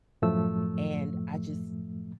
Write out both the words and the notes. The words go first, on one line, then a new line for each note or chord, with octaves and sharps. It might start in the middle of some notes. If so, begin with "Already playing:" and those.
and I just
F#2 A2 F3 A3 E6